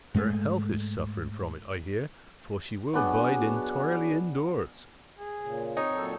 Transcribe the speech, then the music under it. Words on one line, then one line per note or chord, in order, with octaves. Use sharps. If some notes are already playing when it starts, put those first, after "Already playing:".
Her health is suffering from it, I hear, for she will bide entirely indoors.
G#2 G#3 A3
F#3 B3 D4 G#4
G#4
A#2 C#3
C4 D#4 C#5
A#2 F#3 A4